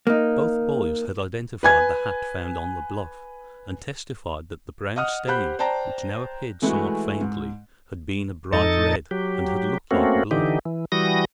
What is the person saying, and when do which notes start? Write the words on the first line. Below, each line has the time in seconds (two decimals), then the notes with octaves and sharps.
Both boys had identified the hat found on the bluff, and testified that the brown stain, which now appeared somewhat faintly, had been a bright red, and had looked like blood.
0.07 A#3 D#4
1.63 B4 G#5 G#6
4.96 D#5 F#5 D#6 F6
5.27 G4 C5 F#5 B5 F#6 G6
5.59 C5 D5 G5 A5 A#5
6.62 E3 G#3 A3 E4 F#4
7.21 G#2
8.53 F2 D#4 A4 D#5 A6
9.11 F#3 G4
9.91 A3 A#3 C4 C#4 F#4
10.31 D3 E3 D#4 G4
10.65 E3
10.92 E3 G3 F#4 D#6 A#6